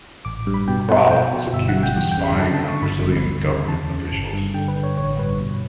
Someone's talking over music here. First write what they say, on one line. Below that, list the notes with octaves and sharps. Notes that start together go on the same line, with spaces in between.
Kroll was accused of spying on Brazilian government officials.
A1 D6
G2
B5
B2 G5
B2 F#5
B2 G5
B2
G1 E5
F#5
G2
G5
E2 G5
G5
C#3
B5
D3 A5
A5
D3
C#6
G1 B5
G2
D2
C#3
E2 A5
C#3
G1
G2
D3 G5
B4
D3
C#5
A1 C#5
G2 B4
B2